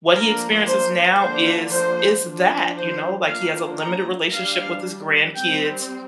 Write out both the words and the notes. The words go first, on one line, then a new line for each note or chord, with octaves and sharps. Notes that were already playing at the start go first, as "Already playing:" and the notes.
what he experiences now is is that, you know, like he has a limited relationship with his grandkids.
F3 A#3 D4 A#4
C5
D3 F3 A#3 D4 C5
C5
F3 D4
C5
F3 A#3 D4 F5
A#5
G3 D4 F5
G3 C4 G5